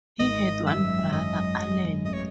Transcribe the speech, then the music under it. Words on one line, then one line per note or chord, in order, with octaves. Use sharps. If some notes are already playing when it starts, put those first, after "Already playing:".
He had one brother, Alan.
G#1 D#5
F#2 E5
F#2 D#5
G#3
A1 D#5
C#5